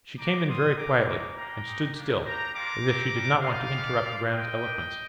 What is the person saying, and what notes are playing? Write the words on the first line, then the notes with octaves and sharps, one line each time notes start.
She came in very quietly, and stood still, as if she did not want to interrupt Graham's eloquence....
G#3 D4 G4 A#5 D6
C4 F4 C6 D#6
C4 G4 A#5 D6
G#3 D#4 G4 A#5 D6
G3 A#3 D4 G5 A#5
G#3 D#4 G4
A#3 D4 G4
A#3 D4 G4 G5 A#5
G3 A#3 D4 F4 A#5 D6
C4 G4
G3 D4 G4
A#3 D#4 G4 D5 F5
G#3 D#4 G4
G3 D4 F4
C4 F4 D#5 G5
A#3 D4 G4